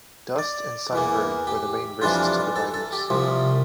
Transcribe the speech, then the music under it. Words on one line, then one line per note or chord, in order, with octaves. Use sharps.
Dust and sunburn were the main risks to the riders.
D5
E2 E3 A#3
G4
F2 E3 G3 D4 F4
A4
A4
G4
C2 C3 F3